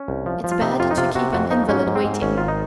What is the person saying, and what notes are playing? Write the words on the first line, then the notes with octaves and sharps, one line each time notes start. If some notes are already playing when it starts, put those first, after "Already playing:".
It's bad to keep an invalid waiting.
Already playing: C#4
C2
F3
F3
F4
C3 D#4
F2 F4
D#4
C3 F4
C3 F#4
F2 F#4
F3 D#4
G#2 C#4
G#2
C4
G#2
G#1 C#4
D#3 F4
D#4